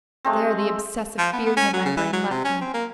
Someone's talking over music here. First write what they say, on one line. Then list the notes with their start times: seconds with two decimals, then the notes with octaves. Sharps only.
There the obsessive fears in my brain left me.
0.25 G#3 A3 C4
1.18 F3
1.33 B3
1.46 B3
1.57 C#4
1.73 F#3
1.85 C#3
1.97 E3
2.13 F#3
2.30 C3
2.44 C#4
2.61 C4
2.74 A#3